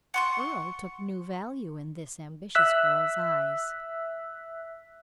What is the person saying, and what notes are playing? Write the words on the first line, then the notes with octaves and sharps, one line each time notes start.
Earle took new value in this ambitious girl's eyes.
F#5 C6 C#6
E5 E6 F#6 B6